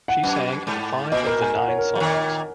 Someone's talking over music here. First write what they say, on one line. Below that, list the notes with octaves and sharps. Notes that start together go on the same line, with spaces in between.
She sang in five of the nine songs.
F#5
F#2
G#2
A#2 D#5
A#4
G#5
F#5
C#5
A#4
F#3
A#2 D#3